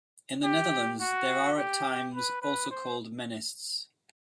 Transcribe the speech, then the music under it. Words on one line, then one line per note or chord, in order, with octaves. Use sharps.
In the Netherlands they are at times also called Mennists.
G4
F#4
G4
B4
B4
C5